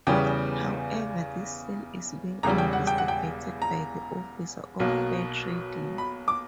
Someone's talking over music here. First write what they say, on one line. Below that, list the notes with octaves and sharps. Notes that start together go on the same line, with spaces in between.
However this sale is being investigated by the office of fair trading.
E2 C#3 E3 G3 B3 G5
E1 E2 C#3 G3 A#5
G5
F#5
G5
F#5
G5
A#5
B1 B2 A#3
B5
D6